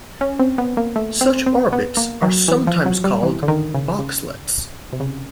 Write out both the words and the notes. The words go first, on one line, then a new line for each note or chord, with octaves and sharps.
Such orbits are sometimes called "boxlets".
C#4
C4
B3
A#3
A3
C4
C4
B3
A#3
F#3
E3
F3
F#3
G3
E3
D3
D#3
C#3
C#3
C3
C#3